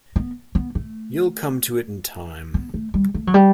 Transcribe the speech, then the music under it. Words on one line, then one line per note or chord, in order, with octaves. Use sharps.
You’ll come to it in time.
B3
B3
A3
B3
A3
G3
A3
F#3
G3